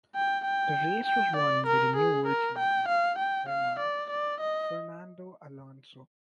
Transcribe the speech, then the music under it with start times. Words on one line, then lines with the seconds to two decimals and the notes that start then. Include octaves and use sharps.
The race was won by the new World Champion, Renault's Fernando Alonso.
0.15 G5
0.45 G5
1.06 G5
1.36 D5
1.67 A#4
1.97 G#4
2.27 A#4
2.59 G5
2.88 F5
3.18 G5
3.49 F5
3.79 D5
4.10 D5
4.40 D#5